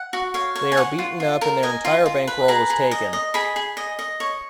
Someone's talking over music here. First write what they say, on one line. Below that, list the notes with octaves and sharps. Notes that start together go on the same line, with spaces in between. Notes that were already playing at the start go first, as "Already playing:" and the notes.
They are beaten up and their entire bankroll is taken.
Already playing: F#5
F#4
C#5 F5
C#5
G#5
C#5 F#5
F4
F4
A#4
D#5 G#5
F4
F4
B4
G#4 A#5
G#4
D#5
D#5
G#4 B5
G#4
D#5
D#5
C#5